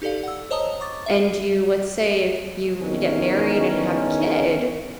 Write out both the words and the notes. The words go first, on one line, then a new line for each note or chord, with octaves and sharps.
and you let's say, if you were to get married and have a kid,
D#4 G4 A4 D5 F5
F#5 E6
C5 C#5 D#5 A5 A#5 D#6
C#6 D6 A6
E5 C7 D#7
E2 D#3 C#4